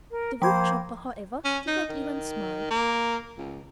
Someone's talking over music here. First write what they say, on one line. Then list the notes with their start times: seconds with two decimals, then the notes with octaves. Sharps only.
The wood-chopper, however, did not even smile.
0.11 A#4
0.42 F3 A#3 C5 G5 B5 G#6
1.45 C#4
1.67 D#4
1.89 D#3
2.70 A#3
3.38 C#2